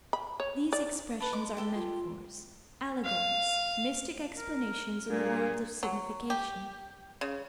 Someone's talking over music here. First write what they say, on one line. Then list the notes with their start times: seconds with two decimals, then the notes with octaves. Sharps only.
These expressions are metaphors, allegories, mystic explanations in the world of signification.
0.13 B5
0.40 C#5
0.73 D5
1.20 B4 A5 B5
1.33 G#3 D6
1.57 G4 A4 G5
1.75 F4
3.05 F5
4.36 A#4
5.09 G2 A#2 G#4 A#4
5.83 F#3
6.30 G4
7.21 C#3